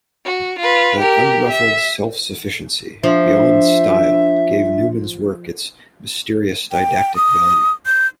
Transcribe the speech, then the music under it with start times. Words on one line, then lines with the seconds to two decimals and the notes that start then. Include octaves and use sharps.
That unruffled self-sufficiency, beyond style, gave Newman's work its mysterious didactic value.
0.25 F#4
0.59 F4 B4
0.99 G4 A#4
1.50 E5
3.03 F3 D4 E5
6.72 G5
7.16 D#6
7.86 G6